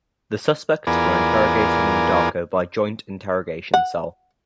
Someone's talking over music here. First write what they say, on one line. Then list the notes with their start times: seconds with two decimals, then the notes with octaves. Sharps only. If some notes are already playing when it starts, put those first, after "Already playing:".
The suspects were interrogated in Dhaka by Joint Interrogation Cell.
0.87 E2 B3 F4 G#4 A#4 D5
3.74 F#5